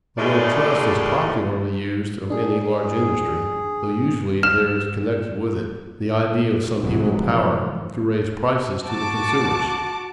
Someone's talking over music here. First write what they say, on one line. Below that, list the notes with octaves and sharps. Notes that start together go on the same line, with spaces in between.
The word trust is popularly used of any large industry, though usually there is connected with it the idea of some evil power to raise prices to the consumers.
D#2 A2 C#3 G#3 A3 D5
D4 G#4
F6 E7
F1 G#2 E3 F#3
F#4 A5 D6